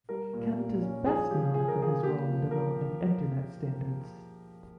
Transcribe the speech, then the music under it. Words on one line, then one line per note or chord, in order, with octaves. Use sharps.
Kent is best known for his role in developing Internet standards.
G3 A#4
A#2
G3
C#4
F3 G#4
F3 G4
F3 G#4
A#4
F3 G#4
A#3 G4
F3
F3 A#4